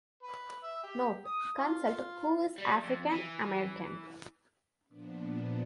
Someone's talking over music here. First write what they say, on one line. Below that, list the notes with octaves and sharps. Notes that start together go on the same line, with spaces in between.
Note: Consult Who is African-American?
B4
E5
G4
D#6
F4
G3
F2
E3
A#2 F3 B3 D4